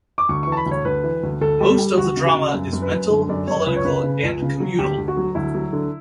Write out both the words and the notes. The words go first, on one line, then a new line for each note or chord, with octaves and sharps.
Most of the drama is mental, political, and communal.
D6
D2 C#6
E3 C#6
A5
B5
D2
C#5
D2 B4
E3
D2
D2 A4
G3
G3
D2 F#4
C#3
F#4
C#3
F#2
F#2
B4
F#2
D3
F#2 D5
F#2 C#5
C#2 B4
C#5
C#3 B4
C#3
C#2
C#3
F#3
D2 G4
D2
F#4
F#3
D2 E4
F#3
D3